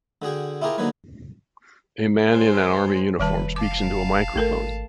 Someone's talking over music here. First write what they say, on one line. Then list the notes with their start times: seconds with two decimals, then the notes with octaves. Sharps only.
A man in an army uniform speaks into a microphone.
0.22 D3 F#4 G#4 G5
0.62 E4 F4 G4 G#4 A#4
0.78 D3 F#3 A#3 D#4 B4 C#5
2.28 G#3 C5
3.20 F1 D#3 G3 B4 A5
3.56 F5 A5 D6
4.36 G#1 A3 A4 A#4